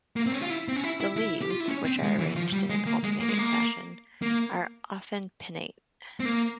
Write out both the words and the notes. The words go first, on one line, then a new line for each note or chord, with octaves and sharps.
The leaves, which are arranged in an alternating fashion, are often pinnate.
A#3
C4
C#4
F4
E4
C4
C#4
E4
E4
E4
G4
F4
E4
C#4
C4
G#3
E3
F3
G3
G#3
A#3
G#3
A#3
G#3
A#3
A#3
C4
A#3